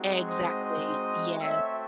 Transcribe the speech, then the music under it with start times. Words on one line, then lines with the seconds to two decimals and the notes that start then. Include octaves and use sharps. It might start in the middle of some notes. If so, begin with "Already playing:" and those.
Exactly, yeah.
Already playing: G#3 C4 D#4 F#4
0.25 C5 D#5
0.63 C5 D#5
1.40 A3 C4 F#4 C#5 E5